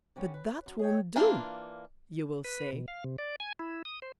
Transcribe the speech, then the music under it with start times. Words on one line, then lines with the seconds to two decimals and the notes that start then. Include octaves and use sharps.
"But that won't do!" you will say.
0.16 D3 G3 C#4
0.34 B4
0.66 F#2
0.79 G#4 C#5 D#5 G5
1.16 E3 A#3 D4 F4
2.45 B4
2.73 B2
2.88 F5
3.04 C3
3.18 D5
3.40 G#5
3.59 E4
3.85 D#6
4.02 C5